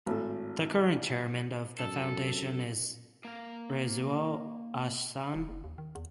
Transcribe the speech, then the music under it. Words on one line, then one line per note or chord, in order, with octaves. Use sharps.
The current chairman of the foundation is Rezaul Ahsan.
G#1 A2 A4
F#2 A4
A#3 F5
E1
F#1
D#2
D#3
E2